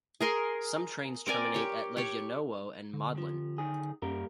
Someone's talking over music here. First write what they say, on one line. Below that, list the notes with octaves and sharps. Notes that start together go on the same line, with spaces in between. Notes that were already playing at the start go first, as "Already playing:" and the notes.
Some trains terminate at Legionowo and Modlin.
G#4 A#4 C6
C4 A#4 D5 G#5
G4 C#5
G4 C#5
D3
C3 F3
B1 D#3 G#4
F#2 G3 A#3 A#4